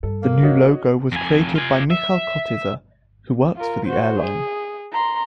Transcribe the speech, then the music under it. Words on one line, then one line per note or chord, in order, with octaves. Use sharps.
The new logo was created by Michal Kotyza, who works for the airline.
G2 A4
A#3
F#4 C#5 D#5
F2 G#5
F4 G#5
E5
F4 A#4
F#4 C5
G#4
A#5 C6